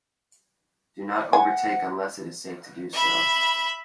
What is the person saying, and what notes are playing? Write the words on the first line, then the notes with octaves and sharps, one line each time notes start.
Do not overtake unless it is safe to do so.
F#5 G#5
E5 B5